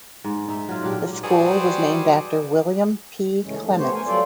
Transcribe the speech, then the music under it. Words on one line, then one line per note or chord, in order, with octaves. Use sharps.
The school was named after William P. Clements.
G#2
D#4 E5
F#3 F4
A#2 D4 G4
F#3 G3 G#4 B4 C5 D5
G#2 C#3 E3 G#3 A3 C#4
C#3 F3 A3
A3 B3 G4 C5 C#5
A#4 G#5
F#3 G3 F4 A4 C5 D5